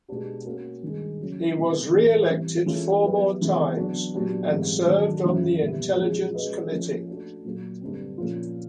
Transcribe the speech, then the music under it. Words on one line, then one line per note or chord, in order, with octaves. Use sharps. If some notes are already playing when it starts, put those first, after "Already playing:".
He was re-elected four more times and served on the Intelligence Committee.
B2 G#3 B3 D4 G4
A#3 C#4 F#4 A#4
G2 D#3 G#3
C#3 F#3 A#3 C#4
B2 G3 C4
A2 E3 A3
E3 G3 C4 E4
E3 G#3 C#4 F4 A4
F#3 B3 E4 G4 B4
C3 E3 G#3 B3
F#3 B3 D4 F#4
A#2 F#3 B3 D4 G4
G#2 E3 G3 C4
D#3 F#3 A3 D4 F#4
F#2 C#3 E3
A#2 G3 B3 E4 G4
F3 G#3 C#4 E4 G#4
G#3 C#4 F#4 B4 D#5
F3 A#3 C#4 F4
A3 D4 F#4
A#2 F#3 A#3
G2 D3 G3 C4
A#2 F3 A#3 C#4 F4